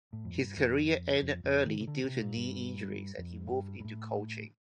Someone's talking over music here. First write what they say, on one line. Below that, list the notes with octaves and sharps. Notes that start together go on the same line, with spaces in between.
His career ended early due to knee injuries, and he moved into coaching.
A2
F2
G2
F2
F2
F2
D#3
C3
D3
C3
A#2
G2
F2
A2
G2
G2
A2